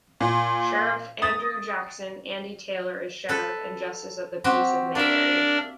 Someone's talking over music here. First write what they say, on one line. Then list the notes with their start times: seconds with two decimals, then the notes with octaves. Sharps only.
Sheriff Andrew Jackson "Andy" Taylor is Sheriff and Justice of the Peace of Mayberry.
0.20 A#2
1.22 D#6 A6
3.29 A4 B4
4.44 C4 F#4 G4
4.95 A#3 D4 A#4 D5 E5